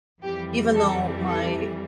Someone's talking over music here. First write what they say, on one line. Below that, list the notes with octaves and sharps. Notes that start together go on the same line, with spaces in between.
Even though my
F2 E3 G3 G4
A4
A4